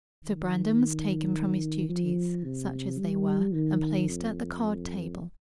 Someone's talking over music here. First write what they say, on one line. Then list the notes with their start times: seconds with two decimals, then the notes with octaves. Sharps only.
So Brandon was taken from his duties, such as they were, and placed at the card table.
0.24 D#3
1.89 F3
2.44 C3
2.98 G3
3.54 D#3
4.09 F2